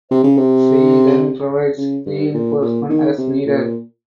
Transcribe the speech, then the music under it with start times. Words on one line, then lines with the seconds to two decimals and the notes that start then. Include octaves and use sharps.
She then provides reinforcement as needed.
0.11 C3
0.24 C#3
0.37 C3
1.78 C#3
2.06 G2
2.34 A#2
2.61 A#2
2.89 D#3
3.18 C3
3.46 A#2